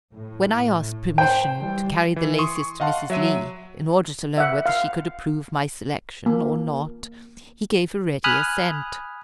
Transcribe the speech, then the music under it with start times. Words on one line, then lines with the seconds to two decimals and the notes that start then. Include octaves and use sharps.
When I asked permission to carry the laces to Mrs. Lee, in order to learn whether she could approve my selection or not, he gave a ready assent.
0.13 A2
1.18 C5 G5
1.59 E3 G3
2.16 E3
2.38 C6 C#6 D#6
2.80 D#5 F5 F#5 A5 C6
3.10 F#3 E5 D#7
4.38 E5 F#5
4.66 F5
6.26 A#3
8.24 G#5 B5 D#6 F6 F#6